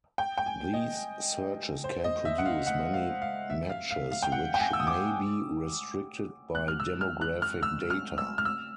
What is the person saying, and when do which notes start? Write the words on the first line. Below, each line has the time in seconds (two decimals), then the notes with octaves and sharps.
These searches can produce many matches which may be restricted by demographic data.
0.18 G5
0.38 G5
0.46 G#5
0.73 D#5
1.84 C5
2.04 D#5
2.25 E5
2.38 F#5
2.46 F5
2.67 F#5
2.94 F5
3.22 F5
3.50 E5
3.70 F5
3.91 F5
4.11 F5
4.23 G5
4.32 F#5
4.54 G5
4.60 G#5
4.73 E6
4.80 D#6
4.87 D6
6.55 F#6
6.68 F6
6.80 E6
7.01 F6
7.21 F#6
7.42 F6
7.63 E6
7.90 F6
8.18 E6
8.38 F6
8.45 E6